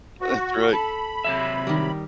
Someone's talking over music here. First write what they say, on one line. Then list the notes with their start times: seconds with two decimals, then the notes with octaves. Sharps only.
That's right.
0.21 F#4
0.73 A4 B5
1.25 C3 F#3 E5
1.67 D#3 G3